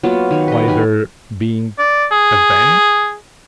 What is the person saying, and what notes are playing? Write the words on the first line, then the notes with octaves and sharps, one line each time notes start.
By their being avenged?
F#3 A#3 B3 F4
D#3 C#5
B4 D#5
D#3 G4 G#5
D5
G#4